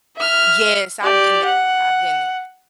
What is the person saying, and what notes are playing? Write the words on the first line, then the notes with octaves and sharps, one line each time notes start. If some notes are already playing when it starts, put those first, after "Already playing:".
Yes, I've been there. I've been there.
E5 F6
G4 D5
F#5